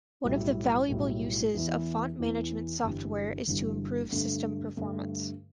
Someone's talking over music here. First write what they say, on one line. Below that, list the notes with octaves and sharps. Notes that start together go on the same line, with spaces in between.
One of the valuable uses of font management software is to improve system performance.
B1 A2 G3 E4
B1 A2 G3 E4
E2 E3 B3 E4
E2 E3 B3 E4
G1 G2 E3 G3
G1 G2 E3 G3
G2 D3 A3
G2 D3 A3